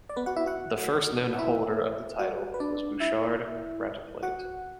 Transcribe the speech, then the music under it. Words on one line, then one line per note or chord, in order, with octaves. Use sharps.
The first known holder of the title was Bouchard Ratepilate.
D5
B3 B4
F#4 F#5
E4 E5
F#4 F#5
F#5
E4 E5
F#4 F#5
B4
D4 D5
E4 E5
F#4 F#5